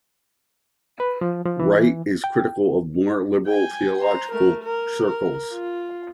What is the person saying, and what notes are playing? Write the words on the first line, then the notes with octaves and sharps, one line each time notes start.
Wright is critical of more liberal theological circles.
B4
F3
F3
E3
G5
G5 G#5
C5 A#5
A3 A#4
A#4
A#4
F4